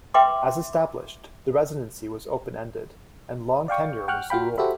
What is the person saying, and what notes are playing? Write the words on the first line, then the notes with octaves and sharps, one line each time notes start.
As established, the residency was open-ended, and long tenure was the rule.
B4 E5 G5 C6 D6
D5 F5 G5 C#6
F#5 G5 C#6 F6 F#6
F4 F#4 F5 G5 B5
F#4 G4 A4 C5 E5 B5